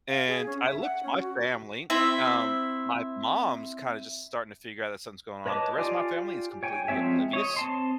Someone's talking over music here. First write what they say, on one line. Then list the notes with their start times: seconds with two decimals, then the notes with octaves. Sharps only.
and I looked to my family. Um, my mom's kinda just starting to figure out that something's going on. The rest of my family is completely oblivious,
0.09 F5
0.27 G#4
0.46 C#4
0.65 E5
0.82 F#5
1.03 C#4
1.20 F#4
1.90 C4 E4 E5
5.46 B4 C#5 D#5 A5 D6
5.78 F4 G4 D5 G#5
6.63 C#5 G5 G#5
6.88 F3 G#3 C4 C#5 E5
7.33 C#5 D#5
7.56 C4 A5 C6